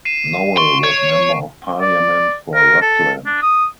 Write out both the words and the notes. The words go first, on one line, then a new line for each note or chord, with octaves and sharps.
Noel was Member of Parliament for Rutland.
C7 D#7 E7
C6 C#6
C#5
D5
A#4
A4
D4
D#6